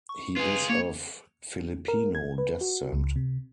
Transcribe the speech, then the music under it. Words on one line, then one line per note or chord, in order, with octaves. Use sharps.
He is of Filipino descent.
C#6
F4 G#4 B4
A#3 C#5
A#4
G#6
B4
F#4
C#2
C3